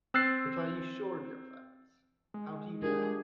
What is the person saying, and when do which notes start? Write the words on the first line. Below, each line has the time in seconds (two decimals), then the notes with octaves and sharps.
But are you sure of your facts? How do you know?
0.14 C4 E6 F#6 A6 C7
2.34 G#3
2.82 D4 F4 G4 G#4 A#4